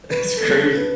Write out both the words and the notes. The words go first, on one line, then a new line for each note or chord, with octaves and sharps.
That's crazy.
B4
A4
B4